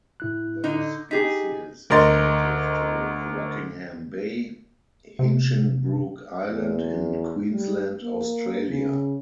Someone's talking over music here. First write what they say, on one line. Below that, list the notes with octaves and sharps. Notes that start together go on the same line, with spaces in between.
The species is native to Rockingham Bay, Hinchinbrook Island in Queensland, Australia.
A2 E4 F#6
D3 D#4
D#4 G4 G#4 B6
D2 A#4 D#5 C6 A6
C3
E2
G3
A#3
C#3